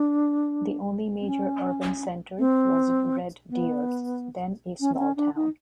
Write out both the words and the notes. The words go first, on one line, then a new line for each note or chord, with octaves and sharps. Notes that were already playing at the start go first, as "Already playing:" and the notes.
The only major urban centre was Red Deer, then a small town.
Already playing: D4
C4
C#4
C4
B3
C#4
C4
C#4
D4
D#4